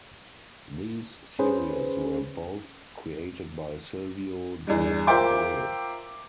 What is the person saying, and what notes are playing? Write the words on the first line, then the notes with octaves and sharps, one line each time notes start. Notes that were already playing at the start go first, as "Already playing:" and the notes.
These series were both created by Silvio de Abreu.
C#4 G#4 B4 C5
E2 G2
F4 A#4 C5 E5 G5 D6